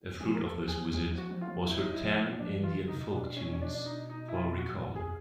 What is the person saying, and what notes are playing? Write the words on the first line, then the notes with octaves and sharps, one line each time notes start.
A fruit of this visit was her "Ten Indian Folk Tunes" for recorder.
F3 G#4
A#4
A4
G#4
F3 G#4
F3
F#4
F3
F4
F3
F#3 E4
D#4
E4
F3
F#3
F3 D4
E3
F4
D3
D#4
C3
A#2
B2 D4
C#4
C#4
D4
D4
D#4
D#4
E4
F4
A#2 F#4
A#2
E2
F2 G#4